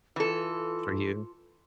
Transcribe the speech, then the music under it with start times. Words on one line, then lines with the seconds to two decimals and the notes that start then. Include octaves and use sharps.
for you.
0.16 E3 F4 A4